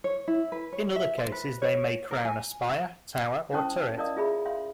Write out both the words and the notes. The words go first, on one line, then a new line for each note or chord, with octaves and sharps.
In other cases they may crown a spire, tower, or turret.
C#5
E4
B4
C#5
E5
C5
B4
C#5
A#4
G#5
C#4 E4 C5 A5 C#6 D#6
E4 A#4 D5 D#5 F5 D#6
F4 G#4 E5 B5
E5 F5 C6